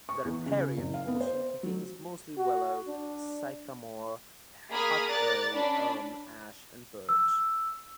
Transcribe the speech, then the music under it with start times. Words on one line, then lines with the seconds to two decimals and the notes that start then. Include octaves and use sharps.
The riparian portion contains mostly willow, sycamore, hackberry, elm, ash and birch.
0.09 C#6
0.24 E2
0.46 C#3
0.77 F#1
0.94 F5
1.07 B3
1.21 C5
1.63 F#3
2.37 F#4
2.87 D4
4.72 A#3 G#4 B5 D#6 F6 G#6
5.08 A#4 D5 F#6 A6
5.54 C#4 D4 D5 B5
7.09 E6